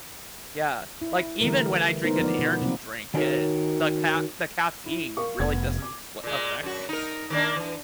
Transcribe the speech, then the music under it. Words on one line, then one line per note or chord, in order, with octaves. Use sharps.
Yeah. Like, even when I drink an energy drink, it the ca the caffeine really doesn't li affect me.
E4
D3 E3 G3 A3 A#4
G#3 A3 B3 D#4 A#4 C5
F3 B3 D5
B2
C3 F3 F#3 A#3 C4 F4
D#3 D4 D#4 F#4 A#4 C#5
E4
A#4 F5 C#6
F1 B3 G#6
D6
A#2 G#3
F#2 F#4
D#4 A#4
D#3 A#3 D4
E3